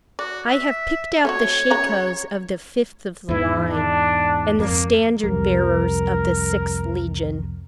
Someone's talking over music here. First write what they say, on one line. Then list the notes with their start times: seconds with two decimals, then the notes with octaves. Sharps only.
I have picked out the shakos of the fifth of the line, and the standard-bearers of the sixth legion.
0.19 F#4 D5
0.47 E5
1.25 A3 C4 F#4 C#5
1.70 C#3 F#4 A#5
3.29 E2 G#2 E4
3.70 D4
4.59 F2 A#3
5.24 C2 F2 G3 A#4